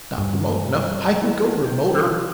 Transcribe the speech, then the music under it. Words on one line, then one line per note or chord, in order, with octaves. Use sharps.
If not remote enough, I can go remoter.
G2
E4
G5
F4